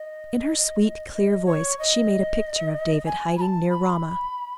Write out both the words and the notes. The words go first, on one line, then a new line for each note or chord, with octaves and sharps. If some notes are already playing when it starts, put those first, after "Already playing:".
In her sweet, clear voice she made a picture of David hiding near Ramah.
Already playing: D#5
D#5
C#5
D#5
G#5
B5
A5
B5